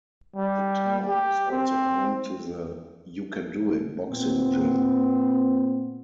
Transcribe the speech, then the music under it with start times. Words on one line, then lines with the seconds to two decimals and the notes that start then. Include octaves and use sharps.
The town is also home to the "U Can Do It" boxing gym.
0.36 G3
1.08 G4
1.51 C4
4.09 A#2 B3 C4